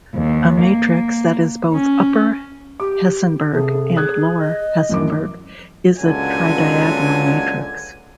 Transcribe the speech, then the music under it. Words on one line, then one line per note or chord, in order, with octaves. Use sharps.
A matrix that is both upper Hessenberg and lower Hessenberg is a tridiagonal matrix.
D#2
A#3
C#4
G4 D6
C3 G#4 A4
G#4 D#6 F#6 G#6
D#5
A1 F#2 D6
C#2 A#2 D3 F#3 G#5